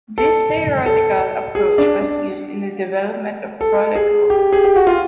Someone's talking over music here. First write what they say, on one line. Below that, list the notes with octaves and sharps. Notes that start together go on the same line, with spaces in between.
This theoretical approach was used in the development of Proletkult.
A4
A4
G#4
D4
D4
A4
G#4
G4
G#4
G4
F#4
F4